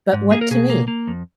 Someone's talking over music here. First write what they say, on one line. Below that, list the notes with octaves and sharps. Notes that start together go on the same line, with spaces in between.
But what to me?
G#2
A#3 G#4
A#4
B2 G#4
A#3
A#3
F2